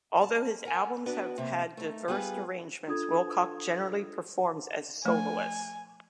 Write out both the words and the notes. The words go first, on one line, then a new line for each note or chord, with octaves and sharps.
Although his albums have had diverse arrangements, Wilcox generally performs as a soloist.
A5
A#4 F#5 G#5
B3 D4 F#4 B4
C3 A#3
A3 D#4
G3 B3 F4 G#4 B4
D4 F4 A4 D#6 G#6
F3 A3 G#5